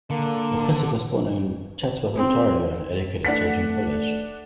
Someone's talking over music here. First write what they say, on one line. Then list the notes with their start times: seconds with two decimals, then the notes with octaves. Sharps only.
McKessock was born in Chatsworth, Ontario and educated at Georgian College.
0.10 D3 A#3
2.16 C4
3.25 A3 D4 F#5 B6